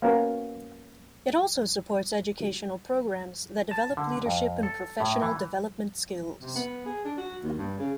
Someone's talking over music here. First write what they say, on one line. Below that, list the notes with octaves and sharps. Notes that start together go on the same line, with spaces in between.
It also supports educational programs that develop leadership and professional development skills.
A#3 B3 C#4 F#4 A#4
A5
D3
F2
A4
A2
E3
C3
B3
G#4
D4
F#4
D#2
G2
C#3